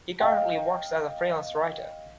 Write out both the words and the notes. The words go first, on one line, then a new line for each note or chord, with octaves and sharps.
He currently works as a freelance writer.
D#5 F5 G5